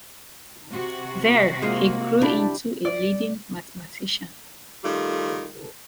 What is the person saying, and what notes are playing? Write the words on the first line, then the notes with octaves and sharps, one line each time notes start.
There he grew into a leading mathematician.
C3 F#4
G#3 A#3 F4 C5 D#5
D4 E4 G4 B5
D5
D#3 G3 A3 F4